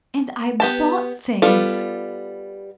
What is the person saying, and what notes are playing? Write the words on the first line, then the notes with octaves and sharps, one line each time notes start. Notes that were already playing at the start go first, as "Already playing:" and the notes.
And I bought things!
B3 G4 A5
G3 B3 F4 A4